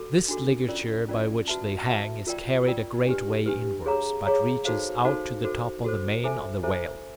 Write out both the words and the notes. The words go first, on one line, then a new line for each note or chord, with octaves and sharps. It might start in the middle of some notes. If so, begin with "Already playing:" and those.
This ligature by which they hang is carried a great way inwards, but reaches out to the top of the mane of the Whale.
Already playing: F#4 A4
D4 F#4 A4
C#4 F4 A#4 D5
C#4 F4 A#4 D5
F#4 B4 E5 A5
F#4 B4 E5 A5
F4 A#4 D5 G5
F4 A#4 D5 G5
D4 G4 B4
D4 G4 B4
G#4 C#5 F5 A#5
G#4 C#5 F5 A#5
D#4 F#4 A4 C5 F5
D#4 F#4 A4 C5 F5
F#4 A4 C5
F#4 A4 C5
E4 A4 C5 E5 G#5
E4 A4 C5 E5 G#5